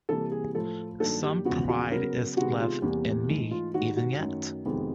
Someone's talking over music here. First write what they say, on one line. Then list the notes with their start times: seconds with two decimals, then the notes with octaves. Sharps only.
Some pride is left in me even yet.
0.09 C3 E3 G3 A#3 A4
0.32 G#4
0.54 A2 F3 A3 A4
1.00 G2 D#3 F#3 A#3 A4
1.23 G4
1.45 E2 C#3 F3 G#3 B3 F#4
1.69 F#4
1.91 C#3 F#3 B3 A#4
2.37 C3 D#3 G#3 B3 F#4
2.60 F4
2.82 E2 C3 E3 G3 A#3
3.28 G#2 E3 A3
3.51 F4
3.74 G#2 D#3 G3 F#4
3.97 F#4
4.20 F#2 D#3 F#3 A3
4.65 F2 C3 D#3 G#3 B3